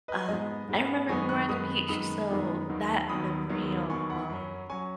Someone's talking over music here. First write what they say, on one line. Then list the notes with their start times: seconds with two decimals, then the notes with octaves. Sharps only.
um, I remember we were on the beach, so that memory of, um,
0.08 B4 D#5
0.28 G#2 G#3 B3 D#5 G#5
0.69 G#2 G#3 B3
1.09 F#2 D#3 G#3 B3 D#4 G#5 C#6
1.29 C#6 F#6
1.49 F#2 D#3 G#3 B3 D#4 B5 D#6
1.88 F#2 D#3 G#3 B3 D#4 B5 D#6
2.29 F#2 D#3 G#3 B3 D#4
2.69 D#2 D#3 F#3 B3
3.09 D#2 D#3 F#3 B3 B5 D#6
3.49 D#2 D#3 F#3 B3
3.89 D#2 D#3 F#3 B3 G#5 C#6
4.10 F#5 B5
4.30 F#2 F#3 C#4
4.70 F#3 C#4 G#5 C#6